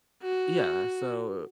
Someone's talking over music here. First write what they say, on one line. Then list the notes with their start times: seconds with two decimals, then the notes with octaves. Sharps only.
Yeah, so
0.23 F#4